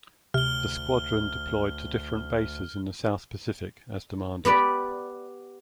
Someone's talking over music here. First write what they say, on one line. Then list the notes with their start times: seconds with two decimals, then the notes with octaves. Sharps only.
The squadron deployed to different bases in the South Pacific as demanded.
0.34 D2 C3 F6 G7
4.45 B3 G4 B4 D5